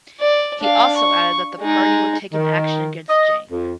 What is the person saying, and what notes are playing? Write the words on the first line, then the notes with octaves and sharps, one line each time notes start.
He also added that the party would take an action against Jang.
D5
D4 F5
C#6
G#3 D#4
D#3
D#5
F2